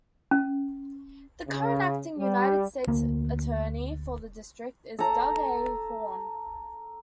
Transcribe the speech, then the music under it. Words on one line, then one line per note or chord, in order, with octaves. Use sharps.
The current Acting United States Attorney for the district is Doug A. Horn.
C#4
C#3
G3
D2 A#3
A4 A#5